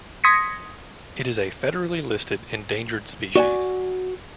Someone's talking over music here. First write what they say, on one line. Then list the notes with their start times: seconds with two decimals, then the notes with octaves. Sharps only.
It is a federally listed endangered species.
0.24 C6 D#6 G#6 A#6 B6 C#7
3.36 F#4 D5 F#5 G#5